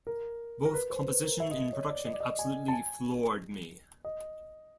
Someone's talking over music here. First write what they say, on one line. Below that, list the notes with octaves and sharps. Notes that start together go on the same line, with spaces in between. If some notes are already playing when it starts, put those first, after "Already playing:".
Both composition and production absolutely floored me.
A#4
A#4
B4
C5
B4
A#4
E5
D#5
C#5
D5
D#5
D5
D#5
G#5
A5
G#5
D#5